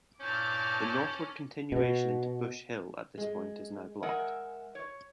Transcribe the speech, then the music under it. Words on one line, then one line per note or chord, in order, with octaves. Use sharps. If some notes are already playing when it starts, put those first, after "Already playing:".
The northward continuation into Bush Hill at this point is now blocked.
G2 A#2 C#4 E4 A5 D6 F6 G6
B2
G#3
G#3 A#4 E5 F#5 G#5
C#5